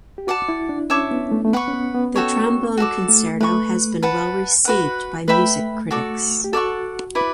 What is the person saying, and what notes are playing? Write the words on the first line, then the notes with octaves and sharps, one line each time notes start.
The Trombone Concerto has been well received by music critics.
G4
F#4 D5 F#5 A5
E4
D4
C#4 C#5 E5 A5 D6
B3
A3
A3
B3 B4 F#5 C#6
C#4
B3
B3
F#4 A4 C#5 G5
F#4 A4 D5
A3
A3 B4 F#5 C#6
B4 F#5 A5
F#4 B4 F#5
A3 B4 E5 G5 B5
F#4 A4 D5
G4
F#4 A4 D5 F#5 C#6
E4 B4 D5